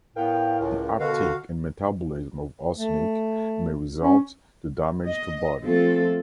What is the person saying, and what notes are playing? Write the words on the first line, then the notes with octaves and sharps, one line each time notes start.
The uptake and metabolism of arsenic may result the damage to body.
A2 B3 A#4 F5 G5
C#2
B2 D3 F#4 F5
A3
C#4
D#5
F3 A3 C4 F4 A4